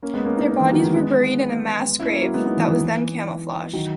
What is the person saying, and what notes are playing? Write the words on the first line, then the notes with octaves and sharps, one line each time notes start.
Their bodies were buried in a mass grave that was then camouflaged.
A#3 C#4
G#3 B3
A#3 C#4
B3 D#4
A#3 C#4
E3
D#3 F#3
E3 G#3
G#3 B3
C#4 E4
A#3 C#4
F#3 A#3
G#3 B3
B3 D#4
E3
E3
E3
D#3 F#3